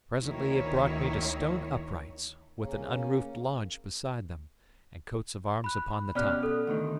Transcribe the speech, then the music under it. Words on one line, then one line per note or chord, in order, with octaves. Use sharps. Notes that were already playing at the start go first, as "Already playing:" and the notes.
Presently it brought me to stone uprights, with an unroofed lodge beside them, and coats of arms upon the top.
D2 D#3 A#3 E4 C#5
C#3 A#3 C#4
B5 F#6
B2 C#4 G4 D5 F6 F#6
A4
D2 B2 D#3